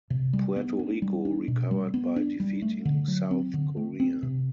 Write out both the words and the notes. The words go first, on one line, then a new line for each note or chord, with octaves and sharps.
Puerto Rico recovered by defeating South Korea.
C3
G3
B3
D4
G3
D4
B2
G3
B3
D4
G3
A3
D3
F#3
C4
D3
A3
C4
C3